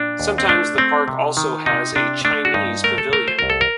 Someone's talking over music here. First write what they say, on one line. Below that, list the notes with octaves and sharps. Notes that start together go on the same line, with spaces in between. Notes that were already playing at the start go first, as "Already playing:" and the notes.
Sometimes the park also has a "Chinese" pavilion.
Already playing: A#2 D4
D#2
C4
A3 D4
A3 C4
C3
D#3
C3 D#4
C3 D4
A3 D4
F#4
G2 D#4
A3 A#4
A4
A3 A#4
C5
C2 A#4
A4
A#4